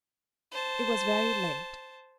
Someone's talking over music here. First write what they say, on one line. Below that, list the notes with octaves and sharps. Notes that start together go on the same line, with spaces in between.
It was very late.
C5 A5